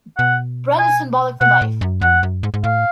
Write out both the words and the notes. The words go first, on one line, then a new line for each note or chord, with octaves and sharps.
Bread is symbolic for life.
B2 F#5
G#5
B2 F#5
A2
F#2
F2 F#5
F#2
G#2
G#2
A2 F5